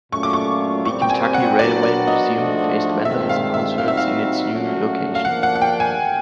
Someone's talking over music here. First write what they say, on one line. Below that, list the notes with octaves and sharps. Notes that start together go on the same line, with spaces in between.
The Kentucky Railway Museum faced vandalism concerns in its new location.
A#2 F#3 A3 C#4 F4 C#6
D6
C#6
A#2 G3 C4 C#6
G5
G#5
F#5
F#3 B3 D4 F#4 A#4 D5
D5
D#5
G#2 F3 A3 D4 F#4
G2 D#3 G#3 C4 F4 E5
F5
E5
A#2 G3 C4 D#4 F#4 F5
E5
F5
A#2 F#3 A3 C#4 F#4
F5
F3 A#3 D4 F#5
F#5
F#5
G5
G#5